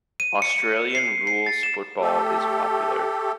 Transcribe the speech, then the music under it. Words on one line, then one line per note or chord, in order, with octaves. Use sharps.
Australian rules football is popular.
D#7
C#7
C#7
C7
C7
A6
E7
A3 G4 A4